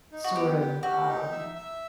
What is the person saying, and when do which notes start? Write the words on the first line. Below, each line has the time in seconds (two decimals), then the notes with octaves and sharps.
sort of, um,
0.12 D#4
0.24 F#4
0.36 B3 G4
0.60 G4
0.83 F#4 G4
1.07 D#4
1.32 E5
1.55 E5